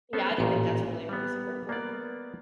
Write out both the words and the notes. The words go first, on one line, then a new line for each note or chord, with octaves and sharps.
yeah, I do think that's really, really super important.
B3 C#4 A4 C5
A1 A#2
G3 B3
A#3 B3 D5